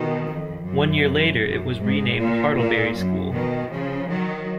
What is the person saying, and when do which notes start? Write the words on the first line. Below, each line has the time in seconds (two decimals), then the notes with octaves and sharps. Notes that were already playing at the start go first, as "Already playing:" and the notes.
One year later, it was renamed "Hartlebury School".
Already playing: B2 D#3
0.26 F2
0.64 F#2
1.42 F#2
1.79 G#2
2.18 A#2
2.56 A#2
2.95 F#2
3.33 B2 D#3
3.71 C#3 F3
4.10 D#3 F#3